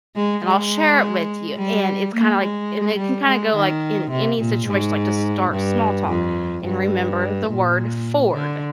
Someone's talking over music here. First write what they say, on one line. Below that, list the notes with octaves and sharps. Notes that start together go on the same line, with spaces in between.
and I'll share it with you, and it's kinda, like and it can kinda go, like, in any situation, like to start small talk and remember the word FORD
G#3
G#3
G3
A#3
G#3
G3
G#3
D#3
C3
A#2
G#2
G2
F2
G2
A#2
D3